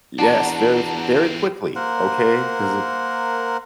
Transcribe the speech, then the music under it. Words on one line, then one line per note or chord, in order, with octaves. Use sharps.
Yes, very f very quickly, okay? 'Cause i
E2 C4 D4 F#4 F#5 A5 A#5
A#3 A#4 C5 F#5